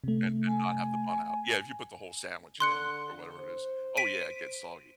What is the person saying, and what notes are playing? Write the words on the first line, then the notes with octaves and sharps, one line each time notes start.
and and not have the bun out yeah, if you put the whole sandwich in or whatever it is oh, yeah, it gets soggy,
C3 A3
G#5
D3 C6 F#6 C#7
C5
B6 D7 D#7